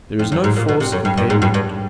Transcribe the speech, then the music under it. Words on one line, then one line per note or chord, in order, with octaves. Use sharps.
There is no force compared with it.
F2
F#2
G#2
A#2
B2
C3
F#2
G2
G2
G#2
G2
G2